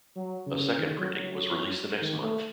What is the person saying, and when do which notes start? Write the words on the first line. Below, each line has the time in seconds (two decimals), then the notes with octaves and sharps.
A second printing was released the next month.
0.16 F#3
0.46 C#3
0.78 D#3
0.98 F#3
1.19 F#3
2.01 D#3
2.22 A3